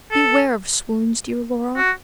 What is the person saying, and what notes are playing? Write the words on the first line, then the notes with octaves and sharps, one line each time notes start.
Beware of swoons Dear Laura....
A4
F#4